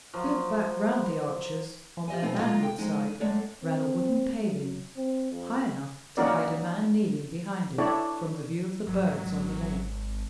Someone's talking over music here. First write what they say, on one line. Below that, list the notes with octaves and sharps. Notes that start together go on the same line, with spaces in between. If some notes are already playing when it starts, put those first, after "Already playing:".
Built back round the arches, on their landward side, ran a wooden paling, high enough to hide a man kneeling behind it from the view of the birds on the lake.
F3 F#3
G4 D#5 E5 G#5
B2 F3 A3 B3 C4 D#4
G#3 D#4 F4 A4 D#5 F5
G5
F3 G#3 D#4
F#2 G#3 A3 C#5 D5
C4
F#3
C4
F2
A#3 C#4 D#4 F#4 A#4 D5
D4 E4 A4 C#5 D5
G#1 F#3